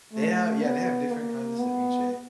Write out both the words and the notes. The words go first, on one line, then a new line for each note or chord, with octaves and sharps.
They have yeah, they have different kind of ceviche.
A3
B3
A#3
B3